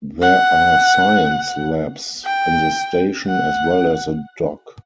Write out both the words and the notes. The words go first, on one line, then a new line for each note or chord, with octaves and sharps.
There are science labs in the station, as well as a dock.
F#5
G5
F#5